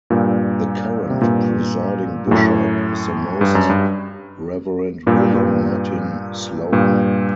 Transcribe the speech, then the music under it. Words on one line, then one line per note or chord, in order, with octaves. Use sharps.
The current presiding bishop is the Most Reverend William Martin Sloane.
G2 A#2
C3
G2 A#2
A#2
F#2 A2
G2
F#2
G2
G2 A#2
G2 A#2
G2 A#2